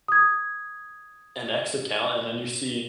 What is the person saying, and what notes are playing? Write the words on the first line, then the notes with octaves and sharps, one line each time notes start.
an X account, and then you see
D#6 G#6